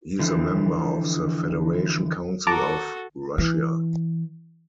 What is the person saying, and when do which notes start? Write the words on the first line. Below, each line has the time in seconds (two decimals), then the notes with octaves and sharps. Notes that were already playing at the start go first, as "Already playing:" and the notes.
He is a member of the Federation Council of Russia.
0.19 D3 E3 F3
2.47 F#4 A4 A5 A#5 D6
3.38 E3